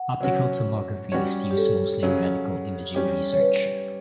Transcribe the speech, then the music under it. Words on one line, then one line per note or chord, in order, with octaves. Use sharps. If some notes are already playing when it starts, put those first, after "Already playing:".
Optical tomography is used mostly in medical imaging research.
Already playing: F#5
F#3 C#4 F#4
G3 C#4 F#4 C#5
G4
A4
C#3 F#3 C#4
G3 C#4 G4
C#5
B4